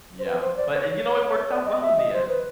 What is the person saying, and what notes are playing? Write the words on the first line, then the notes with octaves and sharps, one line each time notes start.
Yeah, but you know, it worked out well in the end.
C5
B4
C5
D5
C#5
D5
D#5
E5
D#5
C5
B4